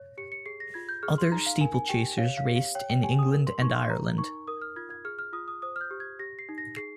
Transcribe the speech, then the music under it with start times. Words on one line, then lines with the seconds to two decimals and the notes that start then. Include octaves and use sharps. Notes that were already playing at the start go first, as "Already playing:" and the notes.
Other steeplechasers raced in England and Ireland.
Already playing: C#5
0.17 G4 C#7
0.32 C#7
0.46 G#4 C7
0.60 A#6
0.74 F4 G#6
0.89 G6
1.03 G#4 F6
1.18 C6
1.32 D#4 A#5
1.46 F5
1.61 A#4 G#5
1.74 G#5
1.89 G4 G5
2.18 C#5 F5
2.37 F5
2.47 G4
2.56 F5
2.75 C#5 G5
2.90 G5
3.03 G4 G#5
3.19 D#6
3.33 A#4
3.47 C6
3.61 D#4 C#6
3.76 C6
3.89 A#4 A#5
4.18 D#4 C#6
4.47 A#4 D#6
4.62 F6
4.76 F4 G#6
4.90 G#6
5.05 G#4 F6
5.19 F6
5.33 F4 D#6
5.48 D#6
5.62 C5 D#6
5.76 F6
5.81 G6
5.91 G4
6.00 G#6
6.19 G4 A#6
6.39 C7
6.49 D#4
6.58 A#6
6.77 G#4 C7